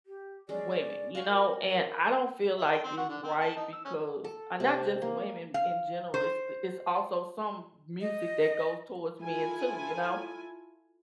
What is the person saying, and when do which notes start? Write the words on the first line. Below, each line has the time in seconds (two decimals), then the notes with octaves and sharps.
women, you know, and I don't feel like it's right because and not just women in general, it's, uh it's also some music that goes towards men too, you know,
0.06 G4
0.49 G#3 C#4 D5
1.15 F#4 F5 G#5 C#6
1.28 A#4
2.58 E5
2.73 G5
2.84 C4
2.97 F#4
3.09 D3
3.23 C4
3.41 A5
3.56 D#4
3.73 E6
3.85 C#4
4.24 A4
4.60 C3
5.02 A#3
5.54 F5
6.14 C5
8.01 D#5
9.21 E4 F4 A4 G#5